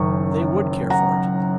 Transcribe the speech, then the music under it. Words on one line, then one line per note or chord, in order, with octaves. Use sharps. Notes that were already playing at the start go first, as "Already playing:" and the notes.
They would care for it.
Already playing: F#1 F#2 D#3 C#6
F#5 A#5